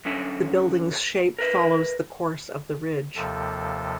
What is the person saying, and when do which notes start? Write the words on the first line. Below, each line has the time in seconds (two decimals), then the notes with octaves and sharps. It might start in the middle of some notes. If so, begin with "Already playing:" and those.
The building's shape follows the course of the ridge.
0.05 F#2 D3 C#4 E5
1.38 A#4 B4 E5
3.15 D#2 C3 F3 A4